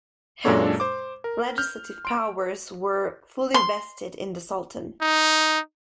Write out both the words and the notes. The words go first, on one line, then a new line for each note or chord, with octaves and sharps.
Hence, legislative powers were fully vested in the Sultan.
F#2 A#2 G#3 D4 A4 C#5
C5 D6
A#4
F6 G6
C6 D7
C6
D#4